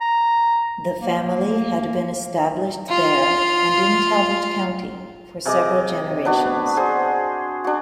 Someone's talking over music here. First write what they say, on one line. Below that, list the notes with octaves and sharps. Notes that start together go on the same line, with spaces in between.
The family had been established there and in Talbot County for several generations.
A#5
A#3
F4 F5
C3 G#4 D#5 D6
B3 D4 F#4
G#4 C5
D4 F#4